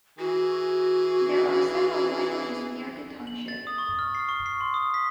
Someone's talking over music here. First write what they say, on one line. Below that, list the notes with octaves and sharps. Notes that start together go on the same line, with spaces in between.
There are several wineries near the township.
E3 F#4 G#4
F#7
A6
D#6
C#6
F6
C7
C#6
C7
C6
D#6
B6